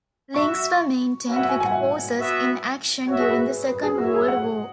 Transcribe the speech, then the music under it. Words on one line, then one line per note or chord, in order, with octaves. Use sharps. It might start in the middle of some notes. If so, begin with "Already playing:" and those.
Links were maintained with forces in action during the Second World War.
F#4 E5 C#6
C#4 F#4 B4 E5
F#5
G#5
G#5
F#5
E5
B3 F#4 E5
F#4 C#5 E5
G#4
B4
B4
G#4
E4 F#4 C#5 E5
G#4
F#5